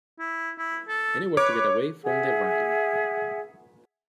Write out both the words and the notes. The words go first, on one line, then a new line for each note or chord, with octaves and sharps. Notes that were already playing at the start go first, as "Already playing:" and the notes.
Anywhere to get away from that wrangling.
E4
E4
A4
B4 C#5 D6
G#4 E5 F#5